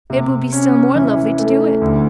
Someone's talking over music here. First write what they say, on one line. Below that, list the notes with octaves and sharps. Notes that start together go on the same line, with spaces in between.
"It will be still more lovely to do it."
C3
C#4
E3
A3
D2